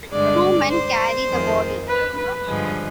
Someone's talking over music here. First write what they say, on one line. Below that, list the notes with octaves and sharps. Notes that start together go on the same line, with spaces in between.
Two men carry the body.
G2 D3 G#3 D4 D5
C5
F2 D#3 G#3
B4
B4
G2 D3 F3 G#3